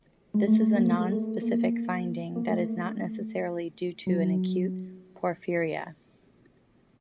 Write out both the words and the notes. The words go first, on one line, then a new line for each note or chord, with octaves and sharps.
This is a non-specific finding that is not necessarily due to an acute porphyria.
G#3
A3
A3
A#3
A3
G#3
A3
A#3
A#3
A3
F#3